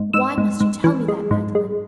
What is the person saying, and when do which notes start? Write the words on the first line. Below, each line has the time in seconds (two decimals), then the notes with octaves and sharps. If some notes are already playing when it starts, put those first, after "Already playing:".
"Why must you tell me that, Magdalen?"
Already playing: G#2
0.13 G#2 E6
0.38 G#2
0.60 G#2
0.84 E3
1.08 G#3
1.31 G#2
1.55 G#3